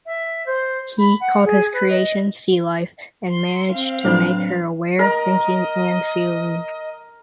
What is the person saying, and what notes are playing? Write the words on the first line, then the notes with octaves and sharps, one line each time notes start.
He called his creation C-Life and managed to make her aware, thinking, and feeling.
E5
C5
B5
F#5
G#4
B4
D#5
C6
C4 F5
A2 F#3 D4 B4 C5 B5
A#4 D#5